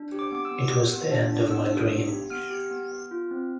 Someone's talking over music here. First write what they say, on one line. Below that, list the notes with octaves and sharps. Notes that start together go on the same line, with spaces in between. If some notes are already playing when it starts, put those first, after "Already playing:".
It was the end of my dream.
Already playing: D4
G4
D6
B3 D6
E6
B3
G4
B3
D4
D4
B3 E6
D4
B3
G4
B3 F6
G4
B3
B3
F4
C4